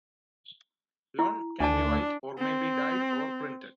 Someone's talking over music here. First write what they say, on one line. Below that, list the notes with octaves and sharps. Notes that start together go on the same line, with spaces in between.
Lawn can be white, or may be dyed or printed.
E4
D2 D4 G#5 A5
C4